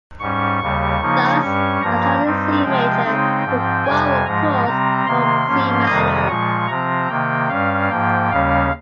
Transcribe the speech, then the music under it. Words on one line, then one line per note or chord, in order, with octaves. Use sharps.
Thus, a song in C Major could "borrow" chords from c minor.
G#2 G3 C#4 C#6
D#2 C#3 G3
C#3 F3 A#3 D#4
G2 G3 C#4 C#6
G2 F3 A#3 A#5
G2 G3 C4 D#4
C3 F3 G#3 G5
C#3 G#3 C4 D#4
G#2 F3 C4
F2 C3 G3 G#5
G#2 F3 G#3 A#5
C3 G3 C4 A#5
C3 D#3 A#3 C6
G#2 F3 A#3 C#4
F2 C3 D#3 G3 D#6
A#2 F3 G#3 C#6
C3 F3 C4 A#5
C3 D#3 A#3 G5
G2 G3 C#4 F5
G#2 F3 A#3 G5
D#2 C#3 G3 C#4 F5